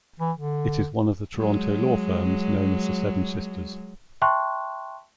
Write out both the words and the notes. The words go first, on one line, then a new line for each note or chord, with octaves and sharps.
It is one of the Toronto law firms known as the Seven Sisters.
E3
D3
F#3 G#3
E5 G5 A5 C6 C#6 F#6